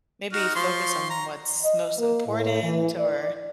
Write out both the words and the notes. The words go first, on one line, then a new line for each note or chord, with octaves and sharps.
maybe focus on what's most important or
D#4 F#4 F6
F3 C6 C#6
A#5
D#5
A#3
A2
E3
D5